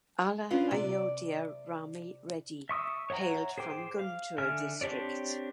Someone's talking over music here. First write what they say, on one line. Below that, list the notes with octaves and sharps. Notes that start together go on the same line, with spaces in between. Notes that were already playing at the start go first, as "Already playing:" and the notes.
Alla Ayodhya Rami Reddy hailed from Guntur district.
C#4 D4 F4 G#4 B4 C5
C3 D5
E5 C#6 D#6 E6
C#5 E5 F#5 A#5
G#4 C5 G5 D6
F5
D3 E5 G#5 F6
C4 D4 G4 C#5 D5